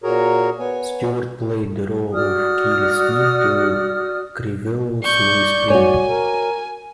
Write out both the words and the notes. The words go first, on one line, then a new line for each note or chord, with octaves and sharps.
Stewart played the role of Keely Smith to Crivello's Louis Prima.
A#2 F#4 G#4 A#4 C#5 A#5
B3 C#5 G#5
F#4 D5 D#6 F6
D5 C#6 G6
F#4 C#5 G#5
A#4